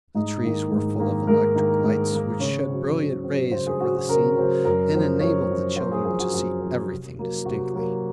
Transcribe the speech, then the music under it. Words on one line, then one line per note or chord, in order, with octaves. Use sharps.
The trees were full of electric lights, which shed brilliant rays over the scene and enabled the children to see everything distinctly.
G#2 D#4
D#3 A#3
G#2
D#3 A#3
G#2 A#4
D#3 A#3
G#2
D#3 A#3
C#3 C#5
F#3 C4
C#3
F#3 C4
C#3 C5
G#4
F#3 C4 F#4
F#4
C#3 A#4
F#3 C4
F#2 A#4
F3 C4
F#2 C#5
F3 C4
F#2 C5
G#4
F3 C4 G#4
F#4
F#2 F#4
F3 C4
C3
F#3 A#3
C3 F#4
F#3 A#3